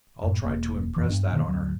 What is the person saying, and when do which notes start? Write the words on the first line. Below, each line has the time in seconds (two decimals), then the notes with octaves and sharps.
I'll try to impress that on her.
0.23 F#2 A2
0.44 E1 A#3
0.96 F2 E3
1.09 G2 B3 D4
1.33 B2 D#3 A#3
1.47 D2 G#2 F#3